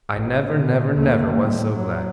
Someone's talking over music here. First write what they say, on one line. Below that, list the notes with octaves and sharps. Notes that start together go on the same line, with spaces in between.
'I never, never, never was so glad!
A1
A#2 D3
D#2 A3
A2 G3
F#3